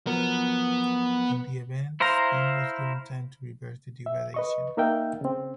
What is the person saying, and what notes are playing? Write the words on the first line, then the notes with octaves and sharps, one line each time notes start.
In the event, Spain was given time to reverse the degradation.
F3 F#3 B3 A#4
E4 C5 F5 A#5
E5
B4 D#5 C#6
A#3 D#4 A#4 E5 F5 G5
C#3 C4